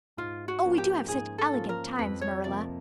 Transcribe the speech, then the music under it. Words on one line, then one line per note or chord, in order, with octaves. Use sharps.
Oh, we do have such elegant times, Marilla.
G#2 F4
F#4
F3 A#3 C#4 F4
G4
G#2 G#4
A4
F3 A#3 C#4 F4
A#4
F2 B4
C#5
C3 F3 A#3 D5